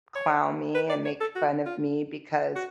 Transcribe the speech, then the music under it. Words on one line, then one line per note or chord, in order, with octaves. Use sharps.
clown me and make fun of me because
C#5
B4
D5
C#5
A4
F#4
F4
F#4